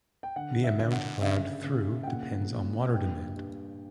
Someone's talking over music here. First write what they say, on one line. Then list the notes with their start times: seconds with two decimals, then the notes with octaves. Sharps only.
The amount allowed through depends on water demand.
0.23 G5
0.36 D3 F#5
0.64 E5
0.79 D3
0.92 F#5
1.21 C#3 E5
1.64 C#3
2.03 G5
2.07 A#2 F#5
2.50 A#2
2.93 G2 G5
3.36 G2